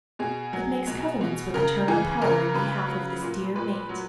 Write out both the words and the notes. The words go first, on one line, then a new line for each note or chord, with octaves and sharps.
It makes covenants with Eternal Power in behalf of this dear mate.
B2 G#4
F#3
B2
B2
C#3 A#4
E3 G#4
C#3 A#4
C#3 B4
F#3
A#2
A#2 B4
F#3